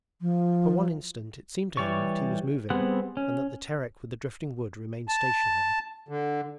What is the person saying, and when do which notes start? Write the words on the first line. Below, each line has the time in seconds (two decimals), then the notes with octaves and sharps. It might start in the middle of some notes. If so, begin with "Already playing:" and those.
For one instant it seemed to him that he was moving and that the Terek with the drifting wood remained stationary.
0.21 F3
1.77 E3 G3 C#5 D5 C#6
2.70 G3 B3 C4 G#4 F#5
3.17 C#4
5.08 A5
6.09 D3